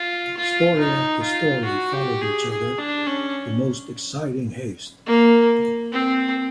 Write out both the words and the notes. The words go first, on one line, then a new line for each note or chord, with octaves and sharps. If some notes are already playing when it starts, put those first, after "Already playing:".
Story after story followed each other with the most exciting haste.
Already playing: F4
F4
D#4
F4
F#4
G4
G#4
G#4
D4
C#4
A#3
C4